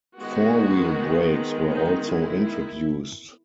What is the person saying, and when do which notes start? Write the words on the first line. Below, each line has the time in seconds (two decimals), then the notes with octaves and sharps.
Four-wheel brakes were also introduced.
0.18 D#3 G#3 B3 F#4
1.69 D#4
2.06 E4